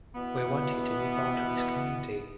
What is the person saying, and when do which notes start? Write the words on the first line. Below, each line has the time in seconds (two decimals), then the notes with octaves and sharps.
We want you to be part of this community.
0.15 B2 E3 B3